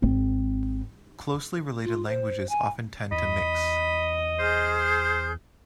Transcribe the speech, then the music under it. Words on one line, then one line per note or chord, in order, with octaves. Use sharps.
Closely related languages often tend to mix.
G#1 C4
F4
C5
G#5
E2 D#5 B5
G#4 C5 F6 G6